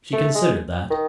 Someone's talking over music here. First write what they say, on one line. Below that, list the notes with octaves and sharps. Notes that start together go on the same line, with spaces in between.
She considered that.
A3
G#3
D#3